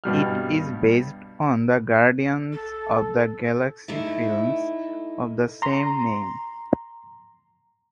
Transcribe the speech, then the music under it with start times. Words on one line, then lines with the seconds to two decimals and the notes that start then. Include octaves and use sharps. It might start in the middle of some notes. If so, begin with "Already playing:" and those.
It is based on the Guardians of the Galaxy films of the same name.
0.04 G2 B2 G3 F6
2.53 A4
3.88 A3 D#4 E4
5.62 A#5 C6